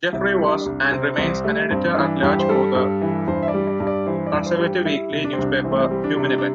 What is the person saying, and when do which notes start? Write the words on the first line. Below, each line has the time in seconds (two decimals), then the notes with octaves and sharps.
Jeffrey was and remains an editor-at-large for the conservative weekly newspaper "Human Events".
0.13 C2 E4
0.39 G3
0.47 E4
0.52 D4
0.66 C2
0.91 C3 C4
1.18 C2 C4
1.44 G3 A3
1.70 G2 C4
1.96 E3 D4
2.23 G2 G4
2.39 C5
2.49 G3 A4
2.75 G2
3.01 E3
3.28 G2 C5
3.42 E5
3.48 D5
3.54 G3
3.67 D5
3.80 G2
3.87 D5
4.06 E3 C5
4.26 D5
4.33 G2
4.46 C5
4.59 G3
4.66 G4
4.85 G3 E4
5.12 C3
5.24 D4
5.33 C4
5.38 C2 D4
5.64 E3 C4
5.72 A3
5.80 C4
5.91 G3
6.04 D4
6.16 C3
6.38 D4